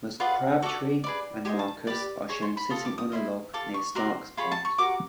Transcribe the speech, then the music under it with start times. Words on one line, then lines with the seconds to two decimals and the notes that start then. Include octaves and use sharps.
Ms. Crabtree and Marcus are shown sitting on a log near Stark's Pond.
0.20 F4 G#4 B4 D5 F#5
0.62 F#4 A4 D5
1.04 G#4 B4 D5
1.45 G4 C5 D#5 G#5
1.59 A5
1.87 G4 B4 D5 D6
2.29 G#4 C#5 C#6
2.42 C6
2.57 B5
2.70 F4 A4 D#6
2.85 D6
2.98 D#6
3.12 E4 G4 C5 D#5
3.53 F4 A4 D6
3.74 C#6
3.95 F#4 A#4 D5 C6
4.37 F4 G#4 C#5 B5
4.52 A5
4.65 C#6
4.78 F#4 A#4 D6